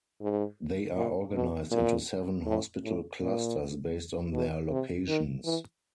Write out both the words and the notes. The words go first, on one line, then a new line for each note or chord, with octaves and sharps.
They are organised into seven hospital clusters based on their locations.
G#2
A#2
B2
A#2
A2
A2
A#2
B2
C3
D#3
E3